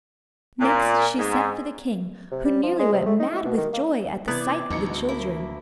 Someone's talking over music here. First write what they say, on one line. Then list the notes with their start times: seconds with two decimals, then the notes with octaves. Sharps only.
Next she sent for the king, who nearly went mad with joy at the sight of the children.
0.61 A#2
1.19 G#2
2.31 C3
2.45 G3
2.63 F3
2.79 G#3
2.93 C3
3.06 A3
3.19 D#4
3.31 E4
3.45 B2
3.57 D#3
3.73 A#3
4.28 C3 E3 B3 D5 G#6
4.70 A1 D2 D#4 C#7
5.09 A#3 E4